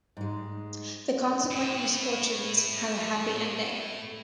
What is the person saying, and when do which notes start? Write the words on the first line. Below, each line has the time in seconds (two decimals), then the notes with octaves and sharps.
The consequent misfortunes have a happy ending.
0.17 G#2 G#3
1.51 A2 E4